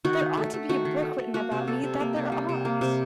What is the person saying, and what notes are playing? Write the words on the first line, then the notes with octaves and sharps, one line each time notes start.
There ought to be a book written about me, that there ought!
D#3 F#4
D#3
A3
A3
D#3 F#4
D#3
A3
A3
A#3 F#4
C3
G3 A4
C3
A#3
C3
G3
C3
A#3
C3